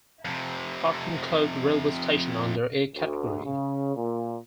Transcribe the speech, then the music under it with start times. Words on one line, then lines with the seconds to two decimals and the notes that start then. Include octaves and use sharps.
Pathankot Railway Station under A-category.
0.25 F2 C3
2.95 D2
3.44 C#3
3.96 A#2